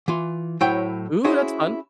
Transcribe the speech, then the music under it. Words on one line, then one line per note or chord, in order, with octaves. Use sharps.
Ooh, that's fun.
E3 F4
A2 F#3 E4 C5 C#5 G5
C#4 E4 F#4 G#4 C5